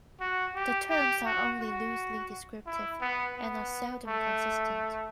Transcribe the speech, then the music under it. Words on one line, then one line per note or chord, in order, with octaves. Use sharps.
The terms are only loosely descriptive and are seldom consistent.
F#4
G4
G4
F#4
F#4
E4
B3
B3
A3